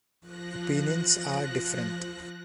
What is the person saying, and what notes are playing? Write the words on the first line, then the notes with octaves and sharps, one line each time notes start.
Opinions are different.
F3 F#6 A#6